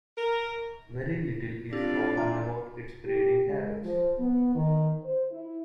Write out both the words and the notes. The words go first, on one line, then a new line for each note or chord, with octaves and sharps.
Very little is known about its breeding habits.
A#4
C4 D4 F4 G4 D5
A#2 E4 A#5
G4
G#3
F3
B3
D#3
C5
E4